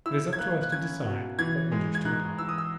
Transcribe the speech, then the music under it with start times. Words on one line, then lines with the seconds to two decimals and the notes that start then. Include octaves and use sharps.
"It is up to us to decide what measures to adopt."
0.06 E4 E6
0.33 G#6
0.39 A#3 F#6
0.61 F#6
0.72 C#4 G#6
1.05 B2
1.39 E3 G#6
1.72 G#3
1.95 G#6
2.05 D#4 F#6
2.38 E3 E6
2.49 D#6
2.58 E6